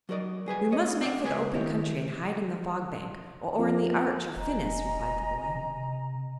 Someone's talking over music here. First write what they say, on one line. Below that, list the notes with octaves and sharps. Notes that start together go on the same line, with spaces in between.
"We must make for the open country and hide in the Fog Bank, or in the Arch of Phinis," replied the boy.
F#3 F#4 A#4 D5 D#5
G3 G#4 B4 G#5
C#5 D#5
C4 D5 F#5
C#2 G#3 C4 G#4 B4 G#5
D#3 E4 G4 C#5
F2
F1 D#5 G#5 A#5
C3